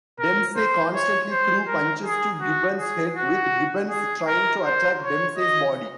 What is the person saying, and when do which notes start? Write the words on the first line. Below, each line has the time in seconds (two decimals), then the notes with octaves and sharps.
Dempsey constantly threw punches to Gibbons' head, with Gibbons trying to attack Dempsey's body.
0.19 A#4
0.56 C5
0.93 C#5
1.31 C5
1.68 A#4
2.05 G#4
2.41 F#4
2.79 G#4
3.16 F#4
3.89 G#4
4.27 A#4
4.64 C5
5.01 C#5
5.38 D#5